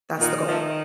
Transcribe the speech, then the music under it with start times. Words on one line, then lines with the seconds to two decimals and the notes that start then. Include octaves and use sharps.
That's the goal
0.18 A#2 D#3
0.46 F3 A3